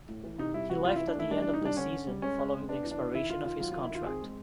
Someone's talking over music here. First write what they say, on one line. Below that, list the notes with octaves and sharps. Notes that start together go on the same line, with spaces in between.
He left at the end of the season following the expiration of his contract.
A2
E3
C3 D#4
G3 E4
C3 F#4
E3 F4
E4
E3
D4
A3 E4
G3 D4
D4
E3
D#4
G3 D4
D3 C#4
D3
G3
G#3 C#4
G#3
C4
B3 D4
E3
D4
E3
D#3 E4
D#3 F4
D#3 F4
F#3 F4
F4
D#3
E4
D#3 F4
C4 G#4
G#3